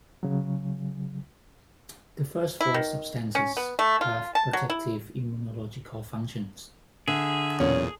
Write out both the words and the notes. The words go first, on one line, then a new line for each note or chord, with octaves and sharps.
The first four substances have protective immunological functions.
C#3 F#3
E4
D#3
C#4
B3
A3
F4
A5
F#3
E4
D3 G#4 E5
B1 E2 A#2 C#4 C#5